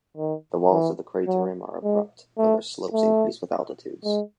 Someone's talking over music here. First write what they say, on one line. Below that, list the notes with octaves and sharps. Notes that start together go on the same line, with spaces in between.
The walls of the crater rim are abrupt, although their slopes increase with altitudes.
D#3
E3
F#3
G#3
A3
A3
G#3